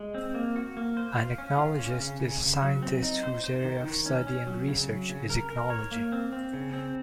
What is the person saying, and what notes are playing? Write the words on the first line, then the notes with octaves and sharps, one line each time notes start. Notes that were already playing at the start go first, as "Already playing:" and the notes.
An ichnologist is a scientist whose area of study and research is ichnology.
Already playing: G#3
C4
A#3
F#4
A#3
C5
F4
C#4
F4
C#4
C#3
C#3
C#3
F#3
C4
D#4
C5
C5
D#3
D#3
C#4
C#4
F#3
C#3
F#3
C#3
A#4
A#4
C#5
A#3
C4
C4
C#3
C4